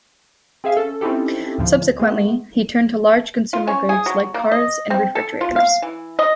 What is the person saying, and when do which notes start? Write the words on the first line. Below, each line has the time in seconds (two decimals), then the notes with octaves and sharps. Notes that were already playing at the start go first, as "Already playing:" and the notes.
Subsequently, he turned to large consumer goods like cars and refrigerators.
0.64 C4 G#4 E5 F5 G#5
0.77 C#4 A4
1.01 C4 C#4 D#4 E4 G4 A4
1.58 D2 A2 F3
1.99 G#3 A3 B3
3.53 F4
3.67 C#4
3.89 G#4
4.06 F#3
4.34 A#3
4.51 D#5
4.90 C4
5.15 A4
5.41 F4
5.56 F5
5.82 E3
6.19 D#5